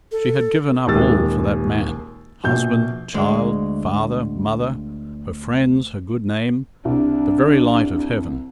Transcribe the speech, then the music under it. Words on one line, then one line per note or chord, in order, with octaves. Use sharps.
She had given up all for that man--husband, child, father, mother, her friends, her good name, the very light of heaven.
A4
D#1 D#2 G#3 G4 E6 A6
A#1 B2 G6
D2 G#3
C2 D4